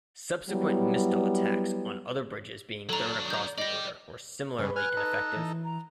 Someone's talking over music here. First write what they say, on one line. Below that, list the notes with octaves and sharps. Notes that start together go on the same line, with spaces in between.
Subsequent "Mistel" attacks on other bridges being thrown across the Oder were similarly ineffective.
F#3 G3 B3 E4
F#3 D4 A4 A#5
A#5 G6
G4 D5 D#5 A#6
G2 C#3 B4
G#5 F6 F#6
D#4 A4
E3
A#5